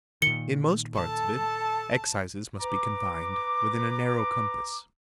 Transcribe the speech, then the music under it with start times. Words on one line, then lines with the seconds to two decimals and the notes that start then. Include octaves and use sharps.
In most parts of it, excises must be confined within a narrow compass.
0.22 A#2 D#3 C#7 G7
0.95 A4 A5
2.60 B4 A#5 D6